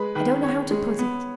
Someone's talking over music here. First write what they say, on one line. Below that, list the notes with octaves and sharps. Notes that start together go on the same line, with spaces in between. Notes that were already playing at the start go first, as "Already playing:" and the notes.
I don't know how to put it.
Already playing: G#3 B4
D#3 B4
C#4 C#5
G#3
B3